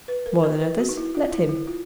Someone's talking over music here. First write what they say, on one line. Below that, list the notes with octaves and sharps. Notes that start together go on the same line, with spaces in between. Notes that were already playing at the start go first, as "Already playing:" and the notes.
"More than others--let him."
B4
A#4
A#4
B4
F#4
D#4
E4
F4
E4
E4
F4